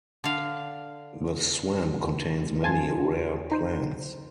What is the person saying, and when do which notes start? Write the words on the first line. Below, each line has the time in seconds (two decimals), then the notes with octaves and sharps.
The swamp contains many rare plants.
0.24 D3 F5
2.62 E3 F4 G#5 A5 C6
3.51 D#4 C5
3.83 D3